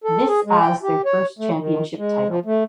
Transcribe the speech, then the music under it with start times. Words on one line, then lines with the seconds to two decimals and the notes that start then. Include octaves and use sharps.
This as their first championship title.
0.04 A4
0.28 G#4
0.46 G#3
0.61 G5
0.83 G4
1.05 C#5
1.39 A3
1.59 D#3
1.98 G#3
2.28 F3
2.46 A3